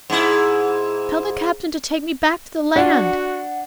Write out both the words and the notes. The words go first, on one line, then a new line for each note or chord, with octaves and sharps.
Tell the captain to take me back to the land.
G#2 E4
D4 F#4 F#5